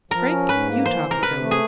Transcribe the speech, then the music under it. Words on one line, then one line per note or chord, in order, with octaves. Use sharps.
Frank, you talk with him.
F3 A#4
C#4
G#2 B4
A#3
E3 C5
C3
A#4
C3 B4
A3
G#4